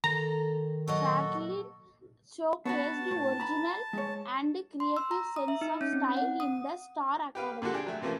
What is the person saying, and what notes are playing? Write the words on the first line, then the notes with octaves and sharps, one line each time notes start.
Chatelain showcased original and creative sense of style in the Star Academy.
D#3 A4 A#5
A#2 F#3 F#4 A4 D#5
B3 F#4 B4 C#5 A5
A2
A#5 B5
G#3 C#5
C6
E6
A#5
D#6
E5
D#4
C#4
C4
F#5
D#6
G4 B4 F5
A#2 D3 G3 F#4 A4
D4 G4 G#4
F#3 A3
C3 E3 F3 A3 A#3 C#4